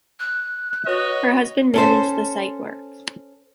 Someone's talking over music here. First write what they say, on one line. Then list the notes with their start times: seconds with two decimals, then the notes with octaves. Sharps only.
Her husband managed the site works.
0.19 F#6
0.86 F#4 B4 C#5 D#5
1.74 C#4 A4 C5